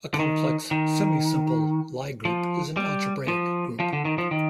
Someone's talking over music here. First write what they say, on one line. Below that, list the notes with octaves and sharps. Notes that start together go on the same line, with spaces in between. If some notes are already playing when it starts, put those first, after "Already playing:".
A complex semisimple Lie group is an algebraic group.
D3
D#3
D#3
F3
G3
F3
F3
D3
D#3
F3
D#3